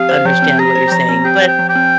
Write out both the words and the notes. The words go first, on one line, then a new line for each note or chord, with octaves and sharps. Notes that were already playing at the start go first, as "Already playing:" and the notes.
understand what you're saying, but
Already playing: F3 C4 G4 F5
C5
F3 G5
C4
G4 A#5
C5
G5
F3 A#5
C4
G4 G5
C5
G5
F3
G5
C4